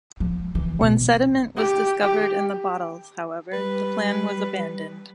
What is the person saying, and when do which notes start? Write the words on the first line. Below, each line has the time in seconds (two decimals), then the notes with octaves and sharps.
When sediment was discovered in the bottles, however, the plan was abandoned.
0.20 F3
0.55 E3
0.81 B2
1.57 G4
2.02 G4
3.53 G3 B4